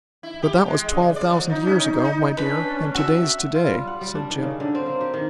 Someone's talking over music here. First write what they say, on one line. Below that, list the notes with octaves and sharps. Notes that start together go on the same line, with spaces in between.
"But that was twelve thousand years ago, my dear, and to-day's to-day," said Jim.
E4
G4
G#3
C#3
D5
F3
D#4
C#4
D#4
D#4
C#4 D4 B4
F#4 E5
F4
G3
F#5
G3
D4
D#3
C#3
D3
C4
A#3
G4
D#3